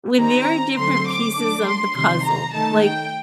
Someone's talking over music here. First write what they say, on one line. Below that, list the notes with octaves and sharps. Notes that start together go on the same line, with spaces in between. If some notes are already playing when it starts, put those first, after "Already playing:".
When there are different pieces of the puzzle. Like,
D#3 G3 C4 D#4 A#5
D3 F#3 A3 C4 C6
D6
F#3 A3 D4 D6
C6
C3 D#3 G3 C6
A#5
D#3 A3 D#4 A5
G5